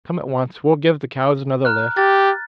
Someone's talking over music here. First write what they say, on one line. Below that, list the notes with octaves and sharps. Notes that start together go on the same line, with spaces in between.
Come at once; we'll give the cows another lift.
A#5 F6 F#6
G4 A6